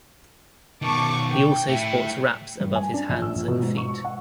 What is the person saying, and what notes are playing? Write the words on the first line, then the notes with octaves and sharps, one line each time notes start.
He also sports wraps above his hands and feet.
B2 D#3 A5 C#6 D6
G5
A3 E4
G2
G#5
D4
A#1
E6
A#1
B2
G#2
C#6
C#6
F#5